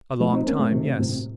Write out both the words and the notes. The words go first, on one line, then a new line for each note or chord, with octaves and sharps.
"A long time--yes."
F3 A3
C4 D#4
A#3 C#4
A3 C4
C3 D#3
A2 C3